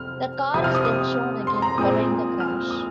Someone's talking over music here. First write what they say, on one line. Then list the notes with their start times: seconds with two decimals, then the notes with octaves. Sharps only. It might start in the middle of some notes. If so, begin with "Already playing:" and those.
The car is then shown again following the crash.
Already playing: F2 C3 C4 F6
0.54 C3 F3 C4 D#6
0.64 F6
0.75 D#6
0.85 D#6
1.47 C6
1.62 A#5
1.78 A#2 G#3 C4 D#6
2.40 F6
2.71 D#6